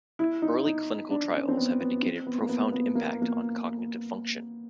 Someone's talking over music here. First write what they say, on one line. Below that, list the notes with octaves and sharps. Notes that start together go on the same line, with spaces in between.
Early clinical trials have indicated profound impact on cognitive function.
E4
D#4
D#4
D4
C#4
C4
B3
B3
C4
B3
A#3
B3
B3
A#3
A#3